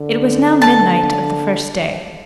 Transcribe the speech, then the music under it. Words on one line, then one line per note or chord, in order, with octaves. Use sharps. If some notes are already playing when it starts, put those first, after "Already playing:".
It was now midnight of the first day.
Already playing: D3
A5